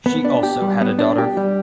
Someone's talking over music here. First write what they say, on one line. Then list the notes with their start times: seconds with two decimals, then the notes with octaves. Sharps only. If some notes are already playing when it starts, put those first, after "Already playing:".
She also had a daughter.
0.06 B3
0.25 D4
0.43 G4
0.62 G3
0.81 B3
0.99 D4
1.18 G4
1.37 G3